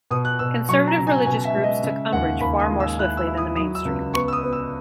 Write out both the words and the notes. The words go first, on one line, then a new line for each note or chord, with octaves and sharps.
Conservative religious groups took umbrage far more swiftly than the mainstream.
B2 D#6
F#6
B2 E6
F#3 C#6
A#5
C#3
G#5
B2 G#5
E5
G#3
D#5
C#3 E5
D#2 F#5
D#2 B5
D#6
G#3
E6
E4 F#6
E6
E4
D#6
F#3 D#6
E6
C#2
B3 C#6
E6
D#6
B3
E6